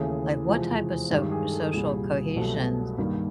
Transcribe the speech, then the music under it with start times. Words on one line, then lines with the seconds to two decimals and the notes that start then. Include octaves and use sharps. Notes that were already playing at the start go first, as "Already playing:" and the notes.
Like, what type of so social cohesions
Already playing: D#2 C#3 E3 A3 G#4
0.48 E2 C3 F3 G#3 C4
1.10 G2 D#3 G#3 G4
1.31 G#4
1.52 A4
1.73 C2 A#2 G3 G#4
2.36 C2 B2 F#3 A3
2.98 G2 D#3 G3 A#3